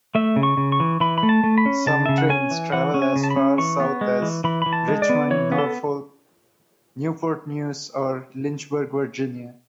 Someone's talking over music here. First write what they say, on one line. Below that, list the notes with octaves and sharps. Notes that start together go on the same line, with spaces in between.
Some trains travel as far south as Richmond, Norfolk, Newport News or Lynchburg, Virginia.
A3 E5
C#3
C#6
C#3
C#6
E3
E3 B5
B5
A3
A5
A3
B5
C#4
C#3 A5
C#3 E5
F#5
C#4 G#5
E3
E3 F#5
C#4
G#5
C#3
A5
B5
C#4
E3 C#6
B3
G#3
E3
E3 B5
E3 B5
A5
G#3
D5
B3
E3 C#5
B3
A4